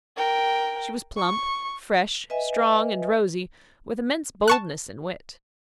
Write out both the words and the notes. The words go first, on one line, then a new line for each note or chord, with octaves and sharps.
She was plump, fresh, strong, and rosy, with immense boldness and wit.
A#4 G5
C#6
B4 D#5 E5 G#5
A5 C#6 F#6